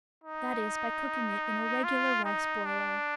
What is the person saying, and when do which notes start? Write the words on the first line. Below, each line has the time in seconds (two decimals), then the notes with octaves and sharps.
That is by cooking it in a regular rice boiler.
0.24 D#4
1.84 F4
2.25 D#4
2.65 D4